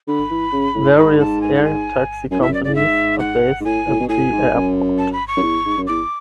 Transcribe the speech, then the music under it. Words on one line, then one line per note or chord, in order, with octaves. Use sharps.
Various air taxi companies are based at the airport.
D3 B5
E3
C#3
A2
G#2 B5
A5
G#5
F#5
G#5
F#2 G#5
E2 E5
F#2 D5
A2 D5
G#2 E5
F#5
G#2
A2 G#5
A2
B2
A2 G#5
G#2
F#2
A5
B5
C#6
F#2
E2
G#2
F#2
E2 D6